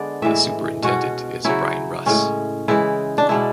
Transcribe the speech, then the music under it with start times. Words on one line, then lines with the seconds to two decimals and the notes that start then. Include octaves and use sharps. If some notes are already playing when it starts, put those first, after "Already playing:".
The superintendent is Brian Russ.
Already playing: D3 G#3 B3 D4 D5
0.22 A2 E3 G#3 E5
0.83 B2 G#3 C#4 F#4
1.45 C#3 F#3 C#4 E4
2.06 A2 G#3 C#4
2.68 C#3 E3 G#3 E4
3.18 D4
3.29 B2 G#3 D4 E4